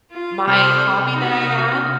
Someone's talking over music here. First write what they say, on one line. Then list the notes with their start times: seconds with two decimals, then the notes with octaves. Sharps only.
my hobby that I had,
0.11 F4
0.47 C3 A4 C5 D#6 F6
1.13 D#4 F#4